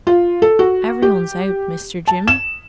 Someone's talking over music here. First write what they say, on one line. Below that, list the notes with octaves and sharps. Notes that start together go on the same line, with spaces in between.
"Every one's out, Mr. Jim."
F4
A4
F#4
G4
A5
E7